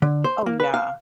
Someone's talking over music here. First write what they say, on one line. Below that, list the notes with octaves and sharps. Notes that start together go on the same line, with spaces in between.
Oh, yeah.
D3
C5
A#3
B4
F5